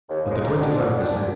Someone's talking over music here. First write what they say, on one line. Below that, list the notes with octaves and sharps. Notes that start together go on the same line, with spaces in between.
But the twenty-five per cent.
D#2
C#3 F3 G#3
G#2
D#3 G3 B3 D4
G#2
D#3 G3 B3 D4
A#2